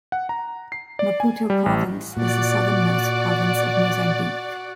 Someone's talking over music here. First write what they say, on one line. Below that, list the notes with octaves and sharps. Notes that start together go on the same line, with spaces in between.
Maputo Province is the southernmost province of Mozambique.
F#5
A#5
C7
D5
G#5
G3
A1
A#2 F#4 D5